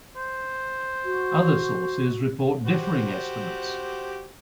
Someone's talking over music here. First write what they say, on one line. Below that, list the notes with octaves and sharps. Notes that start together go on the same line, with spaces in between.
Other sources report differing estimates.
C5
F#4
F#4 G4 C5